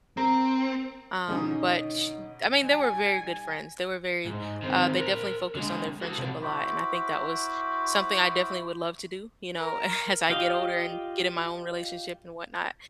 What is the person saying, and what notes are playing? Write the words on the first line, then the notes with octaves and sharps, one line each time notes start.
um, but sh I mean, they were very good friends. They were very uh, they definitely focused on their friendship a lot, and I think that was something I definitely would love to do, you know, as I get older, and get in my own relationship and whatnot,
C4 A#4
B2 D3 D#3 G#3 C#4 D#4 C#5
G3 G#5
G#2
D#3 C4
A#4 C5
D3 G#3
F#4 A4
C3 A4
E4 F#4 C5 B5 D6
A#4
F4 G4 D5 D#5 F5